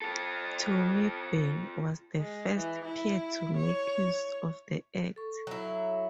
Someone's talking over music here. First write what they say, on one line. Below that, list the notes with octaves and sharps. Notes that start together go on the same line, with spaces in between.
Tony Benn was the first peer to make use of the Act.
F4 A4
G#3
E3
E4
C#5
A4 C#6
F#3 E4